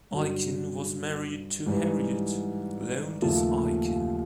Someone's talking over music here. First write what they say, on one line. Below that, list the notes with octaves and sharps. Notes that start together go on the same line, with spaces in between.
Aiken was married to Harriet Lowndes Aiken.
G2 D3 F#3
G#2 E3 G3
D#2 C#3 F3 A3